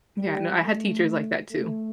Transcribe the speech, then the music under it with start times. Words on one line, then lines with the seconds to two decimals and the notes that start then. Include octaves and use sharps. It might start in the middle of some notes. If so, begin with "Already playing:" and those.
Yeah, no, I had teachers like that too.
0.19 G3
0.63 A3
1.52 A3